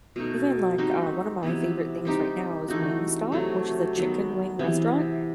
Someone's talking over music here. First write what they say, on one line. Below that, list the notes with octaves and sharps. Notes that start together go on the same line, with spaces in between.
even like, uh, one of my favorite things right now is Wingstop, which is a chicken wing restaurant,
B2 A3 D#4
G3 C4 D#4 F#4
C3 E3 B3
G3 C4 D#4 G4
E3 A3 D#4 F#4
C3 F#3 A3
D#3 F#3 B3
C3 E3 B3